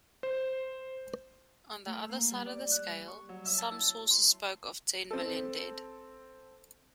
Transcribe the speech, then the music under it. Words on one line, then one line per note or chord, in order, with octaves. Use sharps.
On the other side of the scale, some sources spoke of ten million dead.
C5
A3
A#3
G3
D5
F#6
G3
C#6
F#3
E5
A5
E4
C6
C4 A4